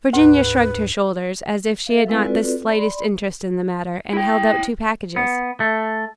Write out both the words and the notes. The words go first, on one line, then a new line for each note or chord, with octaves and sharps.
Virginia shrugged her shoulders, as if she had not the slightest interest in the matter, and held out two packages.
D2 G#2 B4
A4 E5 F5
G#3 C4 E4 A4 B4 F5
C4 F4 F#4 A4 B4 D5
D5 B5 C6
E4 G5
B3
A3